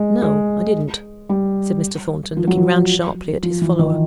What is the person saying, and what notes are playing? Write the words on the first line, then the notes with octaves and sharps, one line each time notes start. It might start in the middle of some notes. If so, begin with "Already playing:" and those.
'No, I didn't,' said Mr. Thornton, looking round sharply at his follower.
Already playing: G#3
G#3
G3
F3
F#3
F3
F3
E3
D#3